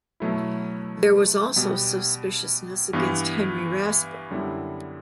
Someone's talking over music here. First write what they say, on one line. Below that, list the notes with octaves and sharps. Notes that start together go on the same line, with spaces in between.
There was also suspiciousness against Henry Raspe.
B2 F#3 A3 E4
B2 G3 B3
G2 E3 B3
F#2 D3 G3 B3 E4